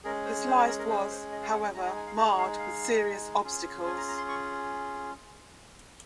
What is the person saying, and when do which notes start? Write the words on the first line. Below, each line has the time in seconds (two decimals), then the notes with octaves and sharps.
His life was, however, marred with serious obstacles.
0.04 G#3 C#4 G#4 A#4
0.25 C5
0.47 C5
0.57 C#5
0.68 A#4
0.79 A#4
0.90 C5
1.11 C5
1.32 D#5
1.42 F5
1.53 F#5
1.63 G#5
1.74 G#3 D#4 G#4 A#5
1.85 A#5
1.96 G#5
2.06 F5
2.17 D#5
2.38 F5
2.59 F5
3.44 C#4 F4 G#4
3.86 G#5
3.97 A#5
4.08 A#5
4.17 C6
4.28 C#6